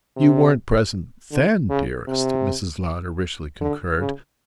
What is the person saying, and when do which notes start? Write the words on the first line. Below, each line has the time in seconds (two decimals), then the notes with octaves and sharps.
"You weren't present THEN, dearest," Mrs. Lowder richly concurred.
0.16 C3
1.32 D3
1.70 C#3
2.07 C3
3.61 D3
3.99 C#3